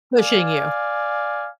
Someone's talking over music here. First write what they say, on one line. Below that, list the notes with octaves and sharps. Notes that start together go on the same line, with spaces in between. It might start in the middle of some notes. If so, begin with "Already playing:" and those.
Pushing you.
D5 F5 G#5